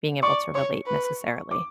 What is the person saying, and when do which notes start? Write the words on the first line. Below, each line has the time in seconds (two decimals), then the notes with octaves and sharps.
being able to relate necessarily.
0.22 D5 C#6
0.55 C#5 C#6
0.87 B4
1.51 D6